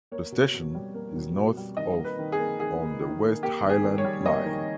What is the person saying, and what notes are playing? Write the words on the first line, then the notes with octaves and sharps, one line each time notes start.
The station is north of on the West Highland Line.
A#3 C#5
B2
B2
G3
A#3
B2
B2
G3
D#3 D#5
A#3
B4
D#3
G#4
A#3
D#3 G#4
A#3
D#3
A#3
A#3 G4
D#3
G#4
D#3
C#5
G3
A#3 D#5
D#3